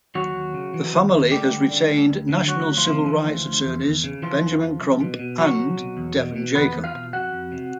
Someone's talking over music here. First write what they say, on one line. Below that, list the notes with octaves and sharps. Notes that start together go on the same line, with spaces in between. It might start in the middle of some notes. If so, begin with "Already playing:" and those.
The family has retained national civil rights attorneys Benjamin Crump and Devon Jacob.
D#2 F#3 F#4
D#2
C#3
E3
D#2
D#2
D2 G3 G4
D3
D3
D2
D2
D3
D2 F#3 F#4
D2
F3 F4
C3
E3
D2
D2
E2
E2
C#3
E3 F3 F4
E2
E2
C2
B2
B2
C2 F#3 F#4
C2
B2
E2
B2
B2
E2 B3 B4
E2
F4 F5
B2
F2 F#4 F#5
F2
C3